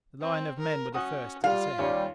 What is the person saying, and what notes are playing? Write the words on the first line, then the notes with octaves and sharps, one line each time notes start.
The line of men were first to descend.
C4
A#4
C#4 F#4 D#6
G3 F4 F5
D#2 G3 C#4 C#5